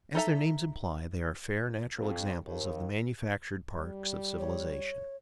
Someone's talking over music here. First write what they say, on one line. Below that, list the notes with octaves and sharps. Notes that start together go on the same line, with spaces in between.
As their names imply, they are fair natural examples of the manufactured parks of civilization.
D#4 A4 E5 A#5
F2
D#2
G3
C#5